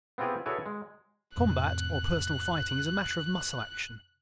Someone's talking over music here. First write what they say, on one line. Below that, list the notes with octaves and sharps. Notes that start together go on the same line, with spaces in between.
Combat or personal fighting is a matter of muscle-action.
B3 C4 E4 F4 G4 G#4
E4 F#4 G#4 A4 B4 C#5
G#3
F2 A2 C3 F#6